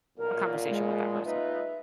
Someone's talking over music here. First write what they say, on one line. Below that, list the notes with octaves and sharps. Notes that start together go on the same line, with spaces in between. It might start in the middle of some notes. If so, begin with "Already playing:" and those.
a conversation with that person.
B1 A#2 A#4
G#3
D#4 F4 B4 E5